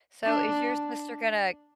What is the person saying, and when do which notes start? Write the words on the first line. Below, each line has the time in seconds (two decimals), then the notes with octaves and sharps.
So, is your sister gonna
0.24 D4